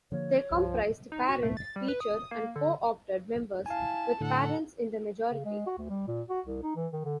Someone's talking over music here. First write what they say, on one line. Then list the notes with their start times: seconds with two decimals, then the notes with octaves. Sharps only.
They comprised parent, teacher and 'co-opted' members, with parents in the majority.
0.12 D3 F3 A#3 C#5
0.51 C2 G2 F3
1.12 D#4
1.29 F#4
1.43 A3
1.57 A6
1.76 G3
1.88 B4
2.00 D#6
2.31 A#3
2.56 D3
3.66 E4 F5 G#5 A5
4.21 A2 D3 A4 F#5
5.32 C#3
5.45 G#3
5.67 F#4
5.78 D2
5.90 G3
6.08 A#2
6.30 F#4
6.46 C2
6.63 D#4
6.76 E3
6.93 D#3
7.05 D3